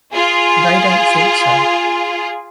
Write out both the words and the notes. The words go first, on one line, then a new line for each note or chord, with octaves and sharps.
They don't think so.
F4 G#4